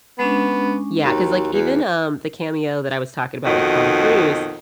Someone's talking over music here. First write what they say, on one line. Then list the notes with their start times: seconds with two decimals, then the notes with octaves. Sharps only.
Yeah, 'cause, like, even, um, the cameo that I was talking about with Tom Cruise,
0.19 G#3 B3 C#4 D4
1.05 D#2 F#4
1.53 E2
3.45 F2 B2 D#3 D#4 F#4